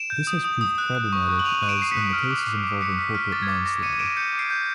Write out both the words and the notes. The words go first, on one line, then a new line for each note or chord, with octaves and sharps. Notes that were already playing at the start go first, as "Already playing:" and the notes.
This has proved problematic as in the cases involving corporate manslaughter.
Already playing: D7 E7
G6
D#6
D#6
D#6
F#6
F#6
C#6
C#6
F#7
C#6 D#7 F7
F#6 D#7
D7 E7
C#6 C7
B6 C#7
F#6
F6
D6
D6
D6
D6 B6 C#7
F6 B6
F6 B6
D6 A6
G#6
D6 A6
D6 A#6
D6 C#7 D#7
D#7
D6 D7 E7
G6 C#7 D#7
D6
C7 D7
G6